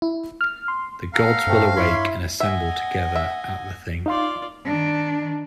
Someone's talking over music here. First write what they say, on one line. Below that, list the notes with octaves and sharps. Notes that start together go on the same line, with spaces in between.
The gods will awake and assemble together at the thing.
E4
F6
C6
A4 F5 F#5 A#5
G2 A3 C4
E4 C#5 B5 C6
D#5 E5 F#5 G#5
E5
D#4 F4 D5 F5 C6
D#3 D4